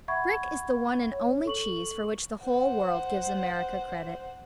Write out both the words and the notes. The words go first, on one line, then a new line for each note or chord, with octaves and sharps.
Brick is the one and only cheese for which the whole world gives America credit.
E5 F#5 B5 C#6 G#6
C#5
A4 C#6 F#7
C5 F#5